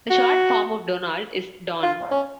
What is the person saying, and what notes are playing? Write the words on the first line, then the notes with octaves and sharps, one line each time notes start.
A short form of "Donald" is "Don".
F#4
F4
C#4